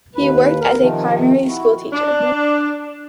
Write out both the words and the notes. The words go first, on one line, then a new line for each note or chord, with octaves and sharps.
He worked as a primary school teacher.
D#2 B4
A#4
C3 D#3 F3
E4 F#4
D4